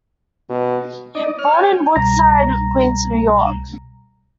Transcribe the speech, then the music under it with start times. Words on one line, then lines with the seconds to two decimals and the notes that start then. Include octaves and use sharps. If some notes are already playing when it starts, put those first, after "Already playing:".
Born in Woodside, Queens, New York.
0.50 B2
1.15 D#4 D5 D#5
1.39 C#5 F6
1.54 C#5 G5 G#5
1.96 C2 B2 G3 A#5 A#6